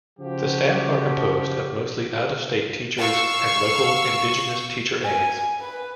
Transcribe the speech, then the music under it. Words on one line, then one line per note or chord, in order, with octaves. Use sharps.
The staff are composed of mostly out-of-state teachers and local indigenous teacher aides.
C#3 F3 F#4 G4
F5 C#6 E6
G#5
B4